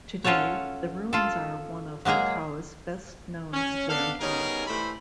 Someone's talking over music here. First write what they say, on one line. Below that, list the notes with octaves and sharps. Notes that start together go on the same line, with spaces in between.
Today, the ruins are one of Macau's best known landmarks.
C#4 F4 F#4 A4 C#5
F4 A4
F#3 G#3 A#3 G#4 A#5
C#4
B3 D4 A4 F5
G3 B3 C#4 D#4 G#4 A#4
A2 E3 G3 A3 C5 B5